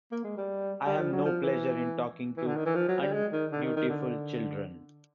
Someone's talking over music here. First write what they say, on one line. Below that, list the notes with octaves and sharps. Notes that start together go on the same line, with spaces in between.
I have no pleasure in talking to undutiful children.
A#3
G#3
G3
G3
F3
F#3
F3
E3
E3
D3
D#3
E3
F3
F#3
G3
G#3
D#3
D3
D#3
D#3
D3